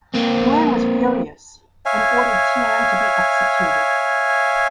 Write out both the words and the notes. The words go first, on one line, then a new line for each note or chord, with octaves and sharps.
Yuan was furious and ordered Tian to be executed.
A#3 C4
C#5 E5 F5 G#5